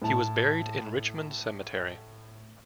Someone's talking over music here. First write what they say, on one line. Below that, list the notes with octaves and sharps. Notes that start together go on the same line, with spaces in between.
He was buried in Richmond Cemetery.
A2 A5